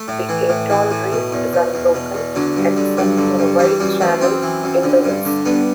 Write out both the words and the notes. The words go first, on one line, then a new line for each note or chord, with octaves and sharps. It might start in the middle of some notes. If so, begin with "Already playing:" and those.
The atoll reef is unbroken except for a wide channel in the west.
Already playing: A3
A2
E3
A2
E3
A2
B2
E2
B2
E2
B2
E2
D3 F#3
G2
D3
G2 F#3
D3
G2
E3 G3
F#2 G3
E3 A3
F#2 C4
E3
F#2
D3
G2
D3
G2 B3